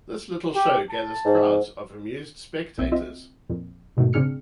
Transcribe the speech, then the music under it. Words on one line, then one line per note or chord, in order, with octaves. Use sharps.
This little show gathers crowds of amused spectators.
G4
A5
G#2
B1 A#3 C4 E5
C4 F4 D#5 E5
F2 A#2
G#2 B2 D#3 A3
C#3 C4 D4 G#4 F6 C#7